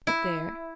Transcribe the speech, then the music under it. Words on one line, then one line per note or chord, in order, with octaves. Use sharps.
But there!
E4